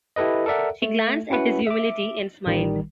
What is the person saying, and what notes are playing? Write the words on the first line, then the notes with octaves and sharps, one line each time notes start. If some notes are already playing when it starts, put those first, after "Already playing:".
She glanced at his humility and smiled.
E4 G4 A4 B4 D#5
A4 A#4 D5 E5 F#5
A3
C#4 E4 F#4 B4 F#5
E5 D6
A1 D#3 G3